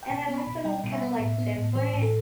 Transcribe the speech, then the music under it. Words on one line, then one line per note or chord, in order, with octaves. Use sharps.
and I like that it was kinda, like, different,
G5
B2 A5
B3
B5
B2
G3 G5
B2
E5
B3
A2
B3
A2
E3 C5
A2
A4